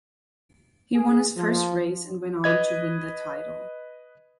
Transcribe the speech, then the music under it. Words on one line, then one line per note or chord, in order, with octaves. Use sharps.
He won his first race and went on to win the title.
G#4
F3
B4 D#5 G#6